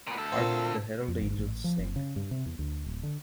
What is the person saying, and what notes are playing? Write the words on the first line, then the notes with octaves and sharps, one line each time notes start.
Hark the Herald Angels sing.
A#2 B3
D2 A4
A#2 C4
F2
G#1
A1
F3
F#1
C#3
G2
C3
E2
D2
D1
D3